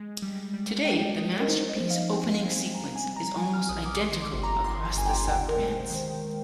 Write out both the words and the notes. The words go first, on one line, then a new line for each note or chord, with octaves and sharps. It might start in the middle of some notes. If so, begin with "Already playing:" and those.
Today, the "Masterpiece" opening sequence is almost identical across the sub-brands.
Already playing: G#3
G3
G3
D4 G5
D4 D#5
A#4
D#4 C5
D#5
F3
F5
C4 G5
C4 G#5
G3 A#5
G#5
G3
A#5
G3 G#5
F6
A#1 D#6
D6
D#3 C6
D6
G1
A#5
D#3 C6
A#5
G1 G#5
G5
D#2 G5
A#4
G#3
C5
D#3 C5